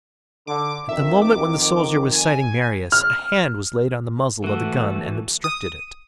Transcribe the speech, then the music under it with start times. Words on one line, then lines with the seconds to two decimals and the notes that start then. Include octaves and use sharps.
At the moment when the soldier was sighting Marius, a hand was laid on the muzzle of the gun and obstructed it.
0.47 D3 D6
0.89 F2 D#3 E5
1.22 D6
2.13 G#5
2.92 F6
4.44 E3 A3 F#4
5.44 D#6